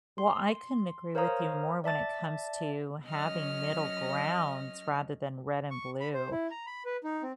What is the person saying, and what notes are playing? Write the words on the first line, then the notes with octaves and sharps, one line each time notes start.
Well, I couldn't agree with you more when it comes to having middle grounds rather than red and blue.
C6
A#4 C5 C#5 F5 A#5 D#6
D5 E5 A5 A6
F#3 C#4 D#5 F6 A#6
C#6
B5
C5
E4
A#5
B5
B4
D#4
C4